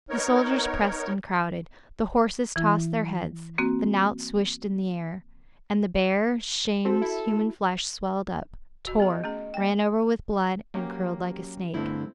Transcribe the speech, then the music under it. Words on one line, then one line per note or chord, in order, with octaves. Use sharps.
The soldiers pressed and crowded, the horses tossed their heads, the knout swished in the air, and the bare, shamed human flesh swelled up, tore, ran over with blood, and curled like a snake.
B3 D#4 A#4 C#5
E3 E4
A#3 C4 F#4
C4 F#4 A4
E4
D#3 F#4 D#5
B3 G#4
A3 C#4 G#4
A#3 G5
F#3 A#3 C#4 G4
G2 D3 A3 C4 E4